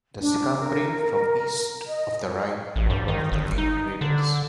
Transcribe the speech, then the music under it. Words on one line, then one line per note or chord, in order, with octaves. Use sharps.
The Sicambri, from east of the Rhine, were one of the main raiders.
D4
A#4
D#5
A1
G2
D#3
G1
D#4
D3